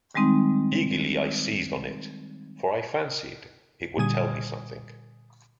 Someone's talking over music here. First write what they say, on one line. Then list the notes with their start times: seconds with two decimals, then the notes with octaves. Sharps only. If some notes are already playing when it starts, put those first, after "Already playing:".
Eagerly I seized on it, for I fancied it would tell me something.
0.15 D#3 G3 G#3 C4 D#4
3.97 A#2 D3 G3 G#5 D#6 G#6